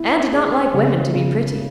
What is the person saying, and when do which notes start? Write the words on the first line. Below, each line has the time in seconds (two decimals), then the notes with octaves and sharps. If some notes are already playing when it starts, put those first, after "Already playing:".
Anne did not like women to be pretty.
Already playing: E4
0.32 G#4
0.74 C#3
1.15 C#3